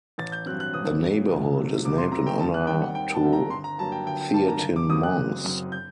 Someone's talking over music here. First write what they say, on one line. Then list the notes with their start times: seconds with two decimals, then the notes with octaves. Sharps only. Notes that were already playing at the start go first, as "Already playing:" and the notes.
The neighborhood is named in honor to Theatin monks.
0.18 A1 A6
0.32 G6
0.46 G2 F#3 C4 F#6
0.60 F#6
0.73 A1 D#6
1.02 G2 F#3 C4
1.29 C2
1.57 C3 F#3 A3
1.85 C2 D6
1.98 C6
2.12 C3 F#3 A3 A#5
2.27 G5
2.40 D#2 A5
2.54 F#6
2.67 D#3 G3 C4 G5
2.82 F#5
2.95 D#2 G5
3.14 A5
3.23 D#3 G3 C4
3.33 A#5
3.50 G1 C6
3.64 A#5
3.78 G2 F#3 A#3 A5
3.92 G5
4.06 G1 G5
4.21 G5
4.34 G2 F#3 A#3 A5
4.48 A#5
4.61 F#1
4.76 D6
4.90 F#2 F#3 C4 D#6
5.03 F#6
5.17 F#1
5.44 F#2 F#3 C4
5.72 G6